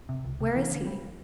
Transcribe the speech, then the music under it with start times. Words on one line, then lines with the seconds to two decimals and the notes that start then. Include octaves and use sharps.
"Where is he?"
0.09 C3
0.25 C#2
0.40 C3
0.55 E3
0.72 D3
0.87 G3